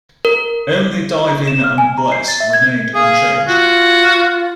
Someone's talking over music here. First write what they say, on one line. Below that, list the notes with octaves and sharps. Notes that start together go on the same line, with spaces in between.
Only "Dive In" and "Bless" remained unchanged.
A#4
E7
F6
G#5
A#5
C7
A6
E5
G#6
G#4 F5
F4 F#4